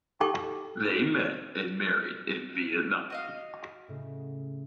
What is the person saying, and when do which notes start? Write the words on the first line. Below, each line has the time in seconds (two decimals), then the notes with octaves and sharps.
They met and married in Vietnam.
0.20 D#4 G4 A4 G5 C#6 D6
3.10 F#4 D#5 F5
3.88 A2 C#3